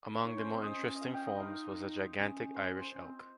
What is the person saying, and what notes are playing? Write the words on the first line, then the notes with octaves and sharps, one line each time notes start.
Among the more interesting forms was the gigantic Irish elk.
D#4 C#5
C#4 C5
C4 C5
C#4 D#5
D#5
F5
G5
D#5
D#4 F5
C#4
C5
C5
C#4
C4